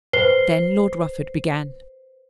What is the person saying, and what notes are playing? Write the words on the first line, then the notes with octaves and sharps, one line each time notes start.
Then Lord Rufford began.
B4 C5 C7 G7